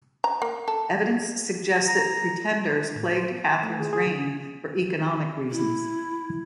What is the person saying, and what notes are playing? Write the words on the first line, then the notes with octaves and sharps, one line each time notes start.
Evidence suggests that pretenders plagued Catherine's reign for economic reasons.
A#5
A#3
A4
A#5
D3
A2
C5
B3
C6
A3
G#4
G#4
D3
E4